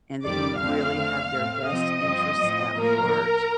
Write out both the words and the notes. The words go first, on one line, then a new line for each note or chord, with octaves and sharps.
and that you really have their best interests at heart,
F2 D#3 G3 D5 D6
F2 D3 A3 C4 F5 F6
D3 A3 C4
A2 A3 C4
C3 F3 C4 D#5 D#6
G2 F3 C4
A2 F3 C4
A2 F3 A#3 A#4 A#5